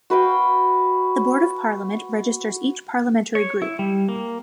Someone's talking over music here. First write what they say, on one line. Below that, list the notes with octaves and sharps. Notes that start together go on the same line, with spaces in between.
The board of parliament registers each parliamentary group.
F#4 B4 F5 G5
C#5
E4
G3
A#3